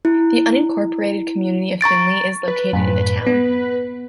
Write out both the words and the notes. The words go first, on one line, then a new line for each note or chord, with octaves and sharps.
The unincorporated community of Finley is located in the town.
E4
A#5 C#6 A6 D7
B4
F#2 A2
B3